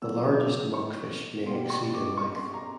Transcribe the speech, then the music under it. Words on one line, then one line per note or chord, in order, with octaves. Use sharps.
The largest monkfish may exceed in length.
B2 F#3 A#3 E6
D6
C#6
B2 G3 A#3 C6
C#6
D6
C#6
C6
A#5